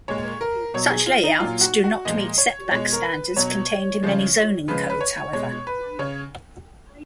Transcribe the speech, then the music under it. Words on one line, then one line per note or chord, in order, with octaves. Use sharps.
Such layouts do not meet setback standards contained in many zoning codes, however.
A#2 G#3 C#5
A#4
B2 F#3 C#5
G#4
F4
D#4
A#2 F#3 F4
F#4
F#4
A#2 F3 G#3 D#5
C#5
B2 G#3 C#5
A#4
B4
B2 F#3 C#5
C#3 F3 G#3
C#3 F3 G#3 B4
B4
C#5
B2 G#3 C#5
B4
C#3 C#5